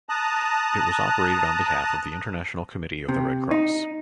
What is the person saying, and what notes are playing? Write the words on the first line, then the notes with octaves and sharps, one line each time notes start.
It was operated on behalf of the International Committee of the Red Cross.
A5 A#5 D#6 F#6
C3
D#4